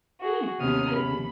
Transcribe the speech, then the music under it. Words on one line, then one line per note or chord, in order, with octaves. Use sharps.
Yeah, exactly.
F#4 G#4
D#2 C3 B3 C#4 D#6 F6
D#2 B5